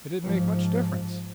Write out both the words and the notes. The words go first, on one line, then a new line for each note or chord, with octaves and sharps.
It didn't make much difference.
G#2 F3